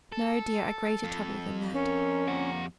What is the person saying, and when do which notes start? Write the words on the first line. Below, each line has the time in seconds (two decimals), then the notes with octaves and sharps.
'No, dear; a greater trouble than that.
0.12 A4
1.04 F2
1.74 C#4 A#4
2.28 D3 F3 A#3 G4 F#5